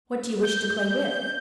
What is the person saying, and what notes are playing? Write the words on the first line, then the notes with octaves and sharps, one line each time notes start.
"What do you wish to play with?"
G6